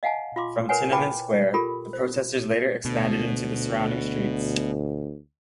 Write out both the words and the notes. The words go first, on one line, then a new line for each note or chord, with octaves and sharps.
From Tiananmen Square, the protesters later expanded into the surrounding streets.
D#5 F5 F#5 G#5 A5
F4 F5 C6 D6
A#4 B4 C#5 F#5 G#5
E4 B4 G5 A5 B5 D6
F4 G4 A4 A#4 B5
C5
D2 B2